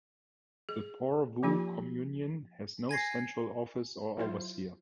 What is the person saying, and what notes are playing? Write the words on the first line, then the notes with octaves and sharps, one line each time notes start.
The Porvoo Communion has no central office or overseer.
G#4
F3 A#3 D#4 F4 G4
G#5 G#6 A#6 C7
F#3 E4 F4 C5